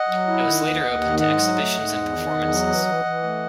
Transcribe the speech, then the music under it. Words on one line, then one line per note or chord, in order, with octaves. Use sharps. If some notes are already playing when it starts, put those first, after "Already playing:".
It was later opened to exhibitions and performances.
Already playing: D#5 F#5
F#3
E4
D#3
D#2
D#2
D#3
G#2 D#5 F#5
F#3
A3
G#2
E2
D#3
E2
F#3
E3
E3
E3
A3